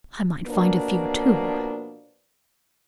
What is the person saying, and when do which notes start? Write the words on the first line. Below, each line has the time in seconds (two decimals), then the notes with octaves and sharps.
"I might find a few, too."
0.47 B2 F3 A#3 D4